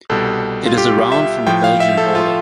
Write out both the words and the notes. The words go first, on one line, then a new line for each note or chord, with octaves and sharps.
It is around from the Belgian border.
C2 B2 G3 A4
F4
G4
E5
A2 F3 G5
F5
E5
A4
F4